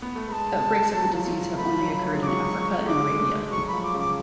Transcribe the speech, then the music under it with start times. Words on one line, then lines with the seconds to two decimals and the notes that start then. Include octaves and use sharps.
Outbreaks of the disease have only occurred in Africa and Arabia.
0.02 B3
0.15 A3
0.28 G#3 A5 B5
0.93 F#3
1.14 F3
1.57 A3 B5
1.69 F3
1.79 F#3
2.00 F#3
2.15 G#3
2.22 D6
2.27 F#3 C#6
2.80 A3
2.86 G#3 D6
3.18 A3
3.51 F#3 C#6
3.68 B5
3.73 F3
3.83 D6
3.94 C#3 D6